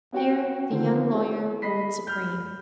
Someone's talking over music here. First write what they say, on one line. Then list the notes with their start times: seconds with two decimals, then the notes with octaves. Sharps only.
Here the young lawyer ruled supreme.
0.12 B3 C#4 F#4 G4 F#5 G5
0.71 D3 D#3 F3 C4
1.13 E4 G4 G#4 C#5
1.62 D#5 B5 B6 C7
2.07 B5 F6 G6